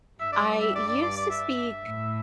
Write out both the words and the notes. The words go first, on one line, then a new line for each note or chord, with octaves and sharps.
I used to speak
G2 E5
D5
E5
D5
D5
D5
D5
E5
A2